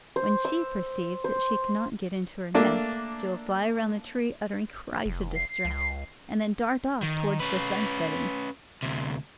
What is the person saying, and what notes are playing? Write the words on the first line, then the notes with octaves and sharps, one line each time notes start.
When she perceives that she cannot get into her nest she will fly round the tree uttering cries of distress, and then dart off towards the sun-setting.
C5
E6
C5
A3 A#3 D4
F1
C7
C#2
D#3
C#4 B4
D2 C3